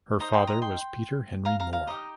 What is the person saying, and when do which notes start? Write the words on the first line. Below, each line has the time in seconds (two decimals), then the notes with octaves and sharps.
Her father was Peter Henry Moore.
0.20 D#4 C5 D#5 A#5 D#6
0.33 G5 C6
0.47 A#5 D#6
0.62 G5 C6
1.45 F5 A#5
1.60 F5 A#5
1.73 F5 A#5
1.87 D#4 G4 C5 D#5 A#5 D#6